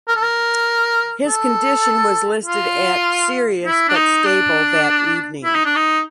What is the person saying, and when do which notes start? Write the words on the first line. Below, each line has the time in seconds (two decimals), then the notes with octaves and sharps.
His condition was listed at serious but stable that evening.
0.08 A#4
0.16 A4
0.23 A#4
1.27 A4
2.46 F4
3.65 E4
3.88 D4
3.95 D#4
4.25 D4
5.44 E4
5.55 D#4
5.65 D4
5.76 D#4